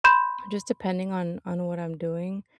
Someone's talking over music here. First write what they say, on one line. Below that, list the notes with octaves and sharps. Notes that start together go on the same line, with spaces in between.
just depending on on what I'm doing.
B5 C6 G6 E7